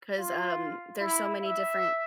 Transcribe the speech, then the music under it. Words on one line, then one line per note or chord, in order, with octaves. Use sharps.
'cause, um, there's so many different
F4
E4
E5